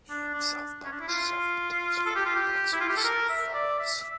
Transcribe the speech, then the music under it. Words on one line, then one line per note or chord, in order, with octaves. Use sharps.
He himself published several dance photo books with his own photos.
D4
D4
C#4
D4
E4
F4
A4
G4
F4
G4
E4
F4
G4
A4
A#4
E5
D5
E5
E5